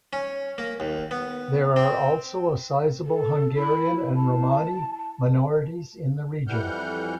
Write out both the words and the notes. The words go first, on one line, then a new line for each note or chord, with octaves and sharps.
There are also a sizable Hungarian and Romani minorities in the region.
C#4
A#3
D#2
B3
C4
A4
E4 B5
A5
F2 E3 G3 F#5 F6 G6